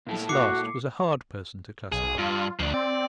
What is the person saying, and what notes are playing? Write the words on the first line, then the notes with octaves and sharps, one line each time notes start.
This last was a hard person to classify.
A#2 E4 A4
F#4 D6 C7 C#7
B1 G#4
G2 F4
D2 F3 D4
C4 D5